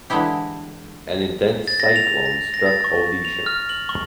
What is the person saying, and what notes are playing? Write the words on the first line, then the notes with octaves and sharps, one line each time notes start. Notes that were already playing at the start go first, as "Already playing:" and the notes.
An intense cyclone struck Odisha.
D3 E3 G#3 E4 G4
A6
A#6
F7
A#6
A#6
A6
C#6
F7
F6
F#7
C#6